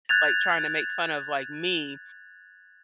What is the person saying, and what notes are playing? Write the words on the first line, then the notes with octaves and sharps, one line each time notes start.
like, trying to make fun of, like, me?"
F#6 G#6 A6 F7